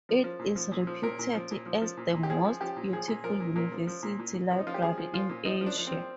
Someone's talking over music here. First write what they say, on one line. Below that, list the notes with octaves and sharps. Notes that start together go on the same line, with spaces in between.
It is reputed as "the most beautiful university library in Asia".
F3
F3
A#2
F3
A#2
F3
A#2 A#4
A#2
F3
A#2
F3
F3
A#2
A#2
G4
F3 G#4
F3
F3 G4
A#2
F3 G#4
A#2
F3 A#4
A#2
A#2 A#4
F3
F3
A#2
A#2
A#2
F3
D#4
F3 F4
G4
F3 G#4
F3
F3 F4
A#2
F3 D#4
F3
D4
F3
F3 C4